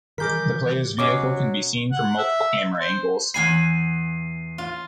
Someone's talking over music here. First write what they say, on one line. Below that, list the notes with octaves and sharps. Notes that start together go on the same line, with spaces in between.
The player's vehicle can be seen from multiple camera angles.
D#3 E3 G3 G#4 A#4 D6 G6 B6
B2 F#3 C#4 G#4 D6
F#5
E5
C5
E2 G#5 B5 C7 D#7
F4